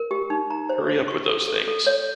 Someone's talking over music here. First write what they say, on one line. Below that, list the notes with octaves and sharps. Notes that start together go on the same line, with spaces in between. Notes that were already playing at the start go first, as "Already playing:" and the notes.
Hurry up with those things.
Already playing: A#4
G4
D#4
A#5
C5
C5
C#6
A4
A4
A4
C#5